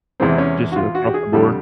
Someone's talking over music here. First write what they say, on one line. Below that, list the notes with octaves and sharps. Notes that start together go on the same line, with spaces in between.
Just across the board?
E2 C3 E3 G#3 C4
C#4
F#4
F4
F#4
G4
G#4
F2 D3 G3 A4